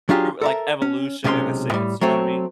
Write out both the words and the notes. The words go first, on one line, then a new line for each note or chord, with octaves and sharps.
through, uh, like, evolution in a sense, you know what I mean?
F#3 D4 F4 G4 G#4
A4 A#4 E5
C#4
B1 C3 G#3 C#4 B4 C6
A2 G3
F#3 A3 C4 C#5